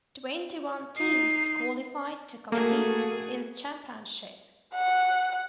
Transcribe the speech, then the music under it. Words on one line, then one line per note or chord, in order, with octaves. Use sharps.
Twenty one teams qualified to compete in the championship.
D#4 C7
A3 A#3 F#4 G#4 A4
F#5